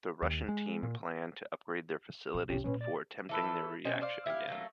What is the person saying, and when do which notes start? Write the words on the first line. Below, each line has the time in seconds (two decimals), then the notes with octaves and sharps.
The Russian team planned to upgrade their facilities before attempting the reaction again.
0.22 D#2
0.49 G#3
0.83 A#2
2.34 A#2
2.49 B1 B2 C#4 G4
2.64 A#2 C#4 F4 B4
2.81 D5 A6
3.29 E3 A4 B4
3.85 B2 C#4 C5 G5
4.01 C5 D5 F5
4.26 E4 G4 F5
4.48 F#3 A3 A#3